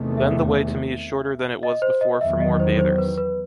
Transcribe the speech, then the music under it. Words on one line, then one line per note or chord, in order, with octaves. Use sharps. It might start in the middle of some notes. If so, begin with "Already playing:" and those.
Then the way to me is shorter than it was before for more bathers.
Already playing: E2 C3 D#3 A3
E5
D#5
C5
D#5
E2 D#3 F#3 E5
D#5
C5
C5
B4
B4